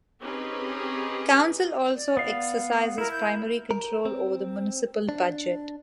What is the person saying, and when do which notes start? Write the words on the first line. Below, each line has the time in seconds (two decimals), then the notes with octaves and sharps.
The council also exercises primary control over the municipal budget.
0.22 C4 C#4 D#4 G4 G#4 B4
1.94 D5
2.17 B3 F5
2.98 E4 A#4
3.12 G6
3.71 A#4
4.05 C4
5.09 D4